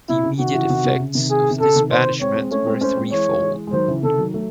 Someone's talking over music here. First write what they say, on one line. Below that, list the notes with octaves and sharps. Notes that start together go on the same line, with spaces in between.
The immediate effects of this banishment were threefold.
C3 E4
C#3
C3 D#3 F#4
C#3 E3
C3 D#3
C3
C#3
C3 D#3
G#4
C3
C#3 A4
C3 D#3
C5
G#3 C4 C#5
G#3 C4
A3 C#4 C#5
G#3 C4
A3 C#4 C5
G#3 C4
E3 G#3 C#5
G#3
D#3 F#3 C5
C#3 E3
C3 D#3 A4
D#3 F#3
F#3 A3